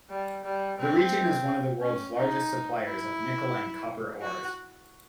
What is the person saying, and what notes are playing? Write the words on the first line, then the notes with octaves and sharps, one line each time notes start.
The region is one of the world's largest suppliers of nickel and copper ores.
G3
G3
C4
C#4
D#4
E4
F#4